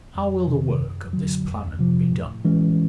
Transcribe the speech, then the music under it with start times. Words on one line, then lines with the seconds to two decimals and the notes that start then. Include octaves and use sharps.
How will the work of this planet be done?
0.15 F2
0.48 C3 D#3
0.80 F#2
1.13 D3 F#3
1.46 F2
1.79 C3 F3
2.12 A2
2.45 E3 G#3 C#4